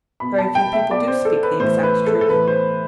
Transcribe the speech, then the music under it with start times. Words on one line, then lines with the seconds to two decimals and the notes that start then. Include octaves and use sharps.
'Very few people do speak the exact truth.
0.20 B2 B5
0.38 A5
0.55 G5
0.73 E5
0.91 B2 D5
1.08 C5
1.25 A4
1.43 B4
1.59 A2 E3 C5
1.83 B4
2.06 A4
2.21 A4
2.29 A2 E3 B4
2.48 C5